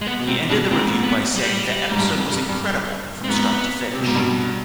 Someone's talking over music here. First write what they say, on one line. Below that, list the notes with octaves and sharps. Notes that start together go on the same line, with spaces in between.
He ended the review by saying the episode "was incredible, from start to finish".
G#3
B3
B2
G#2 C3 C4
G2 B2 D4
F2 G#2 C4
B3
G3
G#2
G2
F2
G2
G2
C4
F2 G#2 B3
C3
B2
G#2
G2 B2